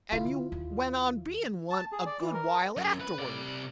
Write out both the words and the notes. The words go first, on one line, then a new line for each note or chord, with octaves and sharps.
And you went on being one a good while afterward.
D3 E4 F4
D#2
A5
G#4
D5
E3
A#4
F#2
B4
C3 D5